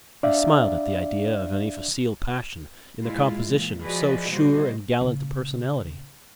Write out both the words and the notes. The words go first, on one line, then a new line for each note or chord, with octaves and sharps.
He smiled at the idea of any facile passion in the composition of so sure and gallant a personality.
D4 D5 E5 F5
A#2 G#3 E4 F4
A#2 E3
F3 F#4 G#4 B4 D5 D#5
A#2 C#3 G3 F#4 C5 D#5
A#2 C#3